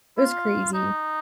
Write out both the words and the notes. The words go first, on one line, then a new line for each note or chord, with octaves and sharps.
it was crazy.
F4
D#4